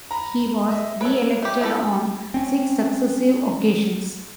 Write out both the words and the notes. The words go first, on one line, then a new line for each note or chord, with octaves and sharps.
He was re-elected on six successive occasions.
A#5 B5
D#5 E5
A4 B4 C#5 D7
A3 G4
A3 E4 A4
C4 C#4